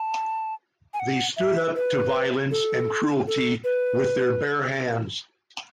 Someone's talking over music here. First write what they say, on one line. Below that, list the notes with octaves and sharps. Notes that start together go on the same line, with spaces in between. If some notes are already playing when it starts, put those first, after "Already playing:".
They stood up to violence and cruelty with their bare hands.
Already playing: A5
G#5
F#5
E5
B4
A4
A4
B4